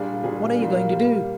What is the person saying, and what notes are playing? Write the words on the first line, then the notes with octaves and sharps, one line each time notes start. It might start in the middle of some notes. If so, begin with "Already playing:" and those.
"What are you going to do?"
Already playing: A#2 G3 D4 F4 G#4
A#2 G3 D4 F4 G#4
A#2 G3 A#3
A#2 G3 A#3